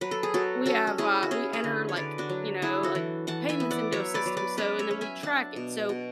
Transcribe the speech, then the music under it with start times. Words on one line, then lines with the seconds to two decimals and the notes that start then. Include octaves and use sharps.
we have, uh we enter, like, you know, like, payments into a system, so, and then we track it, so
0.01 F#3 B4
0.11 A4
0.23 G#4
0.34 F#3 F#4 A4
0.66 C#4 F#4 A4
0.87 A4
0.98 C#4 E4 G#4
1.23 F#4
1.31 C#4 E4 G#4
1.53 G#4 B4
1.64 D3
1.89 C#5
1.96 D3 B4 D5
2.18 D4 F#4
2.29 F#3
2.62 D4 E4 G#4
2.83 F#4 A4
2.95 E3
3.27 E3 F#5 A5
3.49 E5 G#5
3.60 B3
3.71 D5 F#5
3.92 F#3 C#5 E5
4.14 B4 D5
4.26 F#3
4.37 B4 D5
4.57 C#4 B4 D5
4.79 C#5 E5
4.91 C#4
5.01 E5 G#5
5.23 D4 F#5 A5
5.56 B2
5.89 B2